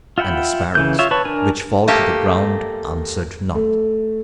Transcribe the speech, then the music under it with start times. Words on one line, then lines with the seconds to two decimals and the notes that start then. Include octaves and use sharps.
And the sparrows, which fall to the ground, answered not.
0.18 F4 E5 F#5 G5 B5
0.75 C#3 E3 G6
0.99 F4 C#5 E5
1.11 B4 C#5 A5 C#6
1.25 D4 A#4 G#5
1.88 A3 A#3 G4
3.55 A3